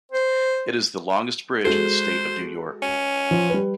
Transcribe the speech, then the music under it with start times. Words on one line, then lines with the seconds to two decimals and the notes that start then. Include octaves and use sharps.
It is the longest bridge in the State of New York.
0.11 C5
1.65 G#3 F#4 A4 C5
2.82 C#4
3.31 F3
3.50 G3 B4